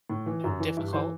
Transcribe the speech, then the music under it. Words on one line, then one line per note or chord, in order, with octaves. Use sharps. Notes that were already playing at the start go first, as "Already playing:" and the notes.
you know, difficult.
A2
E3
F#2
E3
G2 E4
E3 C5